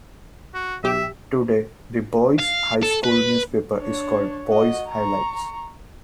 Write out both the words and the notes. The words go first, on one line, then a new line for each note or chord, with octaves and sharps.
Today, the Boise High School Newspaper is called "Boise Highlights".
F#4
B1 G4 E5
F5
A4
B4
D4 C#5
F#4 D#5
A#5 C#6